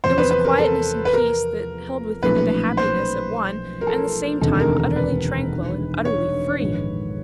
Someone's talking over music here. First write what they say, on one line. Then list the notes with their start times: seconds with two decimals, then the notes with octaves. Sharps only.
It was a quietness and peace that held within it a happiness at one and the same time utterly tranquil and utterly free.
0.04 E2 C3 F3 C5
0.18 B4
0.31 B4
0.45 A#4
0.58 A4
1.05 B4
1.13 A#4
2.22 B1 A#2 F3 A3 C#4 B4
2.77 C5
3.81 A#4
3.87 A4
4.41 E1 D2 C3 D#3 A4
4.60 A#4
4.78 A#4
4.96 B4
6.05 C#5
6.61 A#1 G#2 D#3